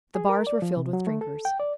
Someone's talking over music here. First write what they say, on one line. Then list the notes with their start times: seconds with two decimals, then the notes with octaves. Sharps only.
The bars were filled with drinkers.
0.15 G#4
0.29 A#4
0.47 D5
0.62 F3
0.77 C3
0.93 F#3
1.07 A3
1.21 A4
1.45 G5
1.60 D5